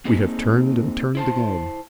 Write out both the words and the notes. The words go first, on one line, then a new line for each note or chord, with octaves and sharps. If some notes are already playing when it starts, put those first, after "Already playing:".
"We have turned and turned again."
A#3 C4 D#4 G#4
E4 C5 A5